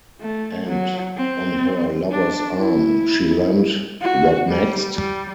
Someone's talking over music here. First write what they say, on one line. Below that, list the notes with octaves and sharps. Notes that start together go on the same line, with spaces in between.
"And on her lover's arm she leant" — what next?
A3
F#3
C4
D4
E4
F#4
G3
G3